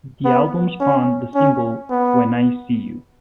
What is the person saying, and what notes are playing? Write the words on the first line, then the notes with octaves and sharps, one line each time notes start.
The album spawned the single "When I See You".
B3
C#4
C#4
B3